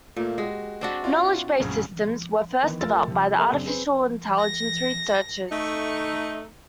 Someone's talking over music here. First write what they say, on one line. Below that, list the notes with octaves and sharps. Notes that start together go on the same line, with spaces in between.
Knowledge-based systems were first developed by artificial intelligence researchers.
A#2 A3 A#3
G#3 F#4 G4
C4 D4 F#4
E4 F4 D5
A#1 F#2 C#3
D#3 E3 B3
F2 A3 F4 A#4 E6 A6
C3 F3
A#3 G4 A4 E5
F#2 C#3 F#3 C4 D4
C4 G#4 B4 C5
A#6
A3 D#4 C#6